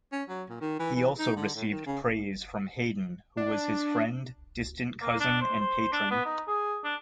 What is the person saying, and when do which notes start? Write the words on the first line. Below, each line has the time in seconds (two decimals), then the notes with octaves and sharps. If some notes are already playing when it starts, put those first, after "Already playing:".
He also received praise from Haydn who was his friend, distant cousin and patron.
0.12 C#4
0.29 F#3
0.49 A#2
0.61 D#3
0.80 E3
0.96 E3
1.19 D#4
1.37 D3
1.55 A2
1.71 D#3
1.86 C#3
3.37 D4
5.01 A#3
5.20 D4
5.41 C5
5.61 C5
5.93 D4
6.10 B3
6.26 D#4
6.48 G#4
6.84 D4